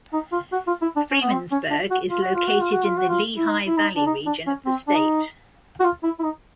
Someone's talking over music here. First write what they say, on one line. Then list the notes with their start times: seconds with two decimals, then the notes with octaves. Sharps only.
Freemansburg is located in the Lehigh Valley region of the state.
0.13 D#4
0.32 F4
0.52 F#4
0.67 F4
0.82 E4
0.96 D4
1.11 C#4
1.21 B3
1.31 C4
1.51 C#4
1.70 D4
1.91 F#4
2.10 F4
2.22 F#4
2.34 F4
2.47 F#4
2.60 F4
2.72 F#4
2.84 F4
2.97 F#4
3.09 F4
3.38 E4
3.48 D#4
3.67 E4
3.78 D#4
3.96 D4
4.06 D#4
4.26 D4
4.47 C#4
4.66 C4
4.88 D4
4.95 D#4
5.80 F#4
5.84 F4
6.03 E4
6.19 E4
6.23 D#4